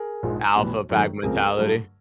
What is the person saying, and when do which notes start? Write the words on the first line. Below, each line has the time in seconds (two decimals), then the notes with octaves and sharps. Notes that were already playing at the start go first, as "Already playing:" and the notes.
Alpha pack mentality.
Already playing: G#4 A#4
0.23 A#1 G#2 F3 G#3
0.56 B1 A2 E3 G3 B3
0.89 F#2 D#3 F#3 A3
1.23 C#2 C#3 F3 A3 C4 G#4 A#4
1.56 G2 D3 F#3 A3